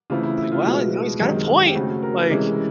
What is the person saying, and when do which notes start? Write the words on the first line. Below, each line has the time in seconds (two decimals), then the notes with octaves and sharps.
like, "well, you know, he's got a point, like"
0.10 C#3 E3 A3 C4 E4 F4
0.23 E4
0.38 E4
0.52 F4
0.65 B2 G#3 B3
1.20 F#2 D#3 G#3 C4 G4
1.58 G#4
1.67 G4
1.75 C#3 F#3 A3 C4 F#4
2.02 A#4
2.30 C3 E3 G#3 C#4 E4